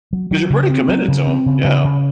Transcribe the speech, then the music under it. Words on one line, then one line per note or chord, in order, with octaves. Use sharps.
'Cause you're pretty committed to 'em, yeah.
F#3
F#3
C#3
C4
F#3
C#3
C4
C#3
C#3
C#3